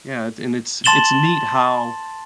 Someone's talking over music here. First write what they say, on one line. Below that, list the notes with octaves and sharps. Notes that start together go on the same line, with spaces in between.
Yeah, and it's it's neat how
A5 C6 A6 E7 F#7 G7